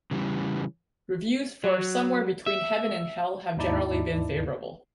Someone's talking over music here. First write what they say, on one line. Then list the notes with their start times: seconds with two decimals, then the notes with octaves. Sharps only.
Reviews for "Somewhere Between Heaven and Hell" have generally been favorable.
0.11 C#3 E3 G3
1.64 F#3
2.46 E5
3.57 D#2 G#2 D#4 E4 D5 A5